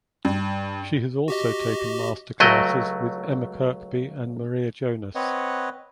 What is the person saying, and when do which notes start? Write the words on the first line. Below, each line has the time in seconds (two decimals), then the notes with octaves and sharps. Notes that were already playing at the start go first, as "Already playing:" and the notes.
She has also taken master classes with Emma Kirkby and Maria Jonas.
0.25 G2
1.28 F#4 G4 D#5
2.40 C#2 F#3 A3 D#5 G5
5.15 C4 B4 C#5 D#5 F#5